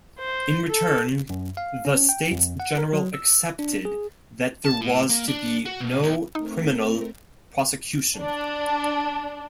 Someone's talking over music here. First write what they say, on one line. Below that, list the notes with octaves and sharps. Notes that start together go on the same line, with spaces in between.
In return, the States-General accepted that there was to be no criminal prosecution.
C5
A4
F#2
F5
C#4
G5
F2
F#5
A#4
F#3
E6
D4
G#4
A5
A2
A#3
D4
F#4
B2
B1
A3 C4 D#4 A#4
D4